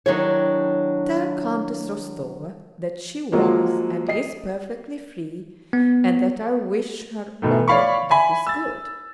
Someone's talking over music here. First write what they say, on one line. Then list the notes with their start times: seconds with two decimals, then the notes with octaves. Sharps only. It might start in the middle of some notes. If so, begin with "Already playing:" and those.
"Tell Countess Rostova that she was and is perfectly free and that I wish her all that is good."
0.06 D#3 F#3 D4 E4 G4 C#5
3.32 F3 F#3 G#3 A#3 F4 C#5
4.08 D#5 C7
5.73 B3
7.42 B2 D#3 A3
7.68 C#5 D5 F5 B5 C#6
8.10 E5 G#5 B5
8.47 E6 A6